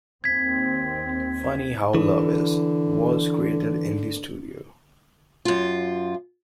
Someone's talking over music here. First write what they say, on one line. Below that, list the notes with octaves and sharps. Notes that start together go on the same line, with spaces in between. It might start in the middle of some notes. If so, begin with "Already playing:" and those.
"Funny How Love Is" was created in the studio.
D#2 C4 G#6 B6
D3 E3
F#2 F4